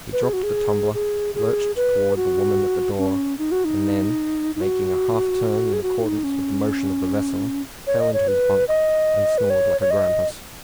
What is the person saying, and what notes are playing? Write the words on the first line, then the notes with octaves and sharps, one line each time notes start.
He dropped the tumbler, lurched towards the woman at the door, and then making a half-turn in accordance with the motion of the vessel, fell into his bunk, and snored like a grampus.
B4
G#4
F#4
G#4
G#4
G#4
B4
F#4
C#4
D#4
F#4
D#4
D#4
F#4
G#4
F#4
D#4
C#4
C#5
D#5
C#5
B4
D#5
B4
C#5
C#5
D#5